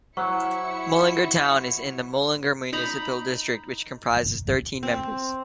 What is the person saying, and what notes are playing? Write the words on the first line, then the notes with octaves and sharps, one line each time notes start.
Mullingar town is in the Mullingar Municipal District which comprises thirteen members.
F#3 E4 C5 E5 F#5 C#6 C#7
D#4 A#5 B5
C4